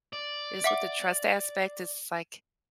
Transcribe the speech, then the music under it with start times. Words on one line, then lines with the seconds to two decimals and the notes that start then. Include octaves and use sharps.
it's with the trust aspect, it's like
0.13 D5
0.64 E5 F#5 D6